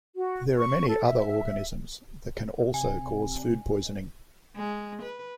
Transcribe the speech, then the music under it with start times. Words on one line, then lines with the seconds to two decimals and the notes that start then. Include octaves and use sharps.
There are many other organisms that can also cause food poisoning.
0.15 F#4
0.57 C#6
0.89 A4
1.06 E5
2.74 C3 G#5
4.56 G#3
5.02 B4